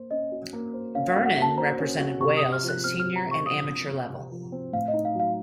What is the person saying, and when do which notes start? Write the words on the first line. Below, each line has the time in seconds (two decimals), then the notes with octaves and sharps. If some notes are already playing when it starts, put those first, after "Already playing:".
Vernon represented Wales at senior and amateur level.
Already playing: A#3 C5
0.11 C#4 D#5
0.32 F#4
0.53 A#3
0.74 C5
0.95 C#4 F5
1.11 F5
1.16 F#4
1.26 F#5
1.37 A#3
1.42 A5
1.58 C5 A#5
1.79 C#4
2.00 F#4
2.20 C3 C#6
2.37 D#6
2.42 C3
2.52 F6
2.63 F3
2.69 F#6
2.84 C4 F6
3.00 F6
3.05 C3
3.16 A#5
3.26 C3
3.31 C#6
3.46 F3 D#6
3.68 C4
3.89 C3
4.10 C3
4.31 F3
4.52 C4
4.73 A2 F5
4.88 D#5
4.93 D#4
5.05 F5
5.15 F#3 F5